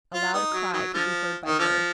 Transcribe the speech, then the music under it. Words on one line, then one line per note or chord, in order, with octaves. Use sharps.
A loud cry could be heard by her.
F4
B3 D#4
F#3
D#3 F#3
D3 F3
D#3
D3 F3